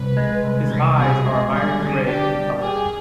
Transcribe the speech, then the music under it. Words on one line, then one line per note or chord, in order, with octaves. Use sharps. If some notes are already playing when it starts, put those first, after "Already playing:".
His eyes are iron-gray in color.
Already playing: C2 B4
G#3
C2
C2
B2 G#4
G#3
G3 G#4
D3
D4 G4
G3
G4 G#4